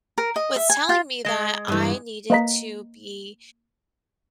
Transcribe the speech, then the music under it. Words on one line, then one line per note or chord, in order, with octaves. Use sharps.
was telling me that I needed to be
A#4
D#5
E5
G#5
F4
G#3 D#5
G2 E3
A#3 B4 D#5 A#5 B6